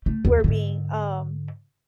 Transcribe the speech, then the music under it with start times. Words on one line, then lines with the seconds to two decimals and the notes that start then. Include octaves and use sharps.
we're being, um,
0.06 A3
0.25 D#2
0.44 G#2 D3